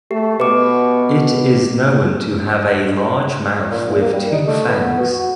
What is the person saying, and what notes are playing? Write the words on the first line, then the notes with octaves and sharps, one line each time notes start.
It is known to have a large mouth with two fangs.
A3 G4
B2 B4 D6
A#2
E2
A#3
G3
D#4
A3
B3
F#4